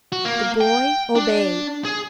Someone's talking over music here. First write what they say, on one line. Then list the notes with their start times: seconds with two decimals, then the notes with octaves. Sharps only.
The boy obeyed.
0.12 F#4
0.25 A#3
0.60 G5
1.16 D4
1.85 G#4